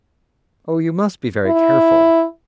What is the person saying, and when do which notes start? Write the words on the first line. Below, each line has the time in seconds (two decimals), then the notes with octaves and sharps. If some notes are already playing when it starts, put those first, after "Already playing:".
'Oh! you must be very careful.
1.46 E4